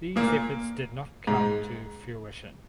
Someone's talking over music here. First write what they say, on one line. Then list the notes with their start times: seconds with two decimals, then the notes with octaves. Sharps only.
These efforts did not come to fruition.
0.16 A#2 A#3
1.27 G#2 G#3